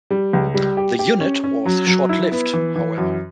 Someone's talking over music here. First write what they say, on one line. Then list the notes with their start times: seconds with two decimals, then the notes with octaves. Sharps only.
The unit was short-lived, however.
0.11 G3
0.33 C#2
0.54 G3
0.77 G4
0.99 G4
1.20 C#4
1.44 C#4
1.66 F#3
1.87 F#3
2.09 E4
2.32 B3
2.54 E3
2.76 E3
2.97 F#2